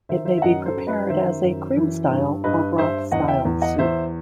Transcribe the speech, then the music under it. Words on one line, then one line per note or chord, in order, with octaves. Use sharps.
It may be prepared as a cream-style or broth-style soup.
D#3 C5 E5
C5 E5
E5
F#2 D#5 F#5
A4 C5
F#2
B4 D#5
D#3 C5 E5
F#2
E3
G2
G2 B4 D#5
G2 C5 E5
E2 D#5 F#5
E5 G5
E2
D#5 F#5
E2 C5 E5